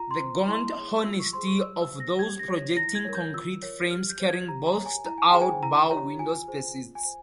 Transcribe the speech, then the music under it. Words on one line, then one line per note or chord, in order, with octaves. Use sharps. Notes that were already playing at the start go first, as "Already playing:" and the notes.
The gaunt honesty of those projecting concrete frames carrying boxed-out bow windows persists.
Already playing: F4 A#5
C6
C5
E4 C6
G#4 C#5
F4 E6
C#6
G#4 C5 C6
C#6
G4 E6
E6
C5
A#6
G4 G#6
A#6
C#5
E4 A#6
G#6
A#4 C#5
G6
F4 E6
A#4 C#5
G4 F6
G6
C5
G#6
G4 A#5
A#5
A#4 C#5
G#5
E4 A#5
G#5
G#4 C5 G5
G#5
E4 A#5
G4 C#5 A#5
F4 G#5
G#4 C5
F4
G#5
C5